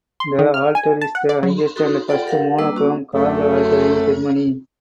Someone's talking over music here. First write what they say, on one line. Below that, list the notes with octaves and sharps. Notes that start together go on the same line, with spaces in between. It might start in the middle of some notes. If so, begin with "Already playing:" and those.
The altar is the highest and first monochrome carved altar in Germany.
C6
D#3
F6
G#5
A5
F#5
D5
F#3
D#4 F#4 A4
F4 A4 D5 F#5 G5
G4 A4 A#4 F5 F#5
G3 A#3 D4 B4 E6
A#3 C#4 F#4
F#2 A3